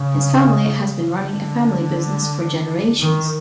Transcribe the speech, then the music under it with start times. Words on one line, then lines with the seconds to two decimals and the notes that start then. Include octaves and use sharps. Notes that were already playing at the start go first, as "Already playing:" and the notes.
His family has been running a family business for generations.
Already playing: C#3
1.21 D3
3.01 D#3